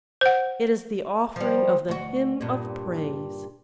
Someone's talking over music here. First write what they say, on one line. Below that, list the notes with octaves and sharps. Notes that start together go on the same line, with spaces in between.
It is the offering of the Hymn of Praise!
C5 F#5
F3 G3
D2 F#4
G2 A#2